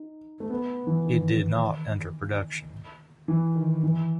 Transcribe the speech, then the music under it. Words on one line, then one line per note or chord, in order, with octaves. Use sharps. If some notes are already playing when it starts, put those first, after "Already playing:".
It did not enter production.
Already playing: D#4
A3
B3
E3
D#3
E3
D#3
E3